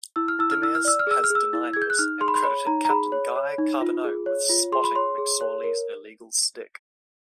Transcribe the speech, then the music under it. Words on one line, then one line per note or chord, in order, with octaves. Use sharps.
Demers has denied this and credited captain Guy Carbonneau with spotting McSorley's illegal stick.
E4 E6
F6
E4 E6
F6
E4 E6
F6
D5 E6
F6
G#4 E6
F6
G#4
E6
E4
G#4 G#6
G6
F#6
D#4 F6
G#4 C6
B5
C6
C#5 B5
D#4 A#5
A#5
G#4 B5
C#5
C#5
D#4
F4
G#4
C#5
F4
G#4 C6
B5
C#5 C6
G#4
C#5
A#4